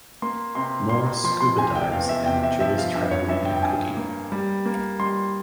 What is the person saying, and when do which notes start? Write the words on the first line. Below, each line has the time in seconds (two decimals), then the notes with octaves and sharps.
Mohr scuba dives and enjoys traveling and cooking.
0.22 A#3 C6
0.55 C3 C6
0.89 A#3 C6
1.06 C6
1.24 F3 C6
1.41 C6
1.58 C3 G#5
1.75 G5
1.92 E2 F5
2.09 E5
2.26 C3 G5
2.43 E5
2.60 F3 E5
2.78 F5
2.94 G2 E5
3.11 C#5
3.28 G2 E5
3.45 G5
3.56 G5
3.63 G2 G#5
3.97 A#3
4.32 G3
4.65 A#3
4.99 G3 C6